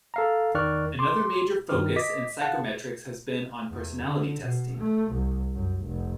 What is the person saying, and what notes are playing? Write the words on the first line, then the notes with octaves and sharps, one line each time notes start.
Another major focus in psychometrics has been on personality testing.
A4 F5 A#5
E2 D#3 D5 C#6 F6 F#6
C6 D6
G2 D#3 F6
D#5 D6 B6
F5 F#5 A5 F#6
E2
D3
B2
A3
C2
F#2
F1